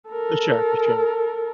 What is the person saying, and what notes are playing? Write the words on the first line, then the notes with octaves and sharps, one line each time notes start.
For sure. For sure.
A4 A#4